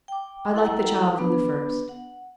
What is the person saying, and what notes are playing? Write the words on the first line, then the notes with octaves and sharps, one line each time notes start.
I liked the child from the first.
G5 D6
E4 A4 F#5 G5 A#5
B3 D4 B4
F#5